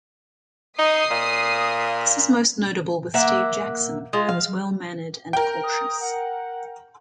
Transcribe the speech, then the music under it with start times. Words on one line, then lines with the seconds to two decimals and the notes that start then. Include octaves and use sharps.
This is most notable with Steve Jackson, who is well-mannered and cautious.
0.79 D#4 D#6 C7
1.11 A#2
3.14 A#3 E5 F#5
4.13 G#3 F4
4.29 F5
5.33 A#4 G5
5.63 D#6
6.00 F#5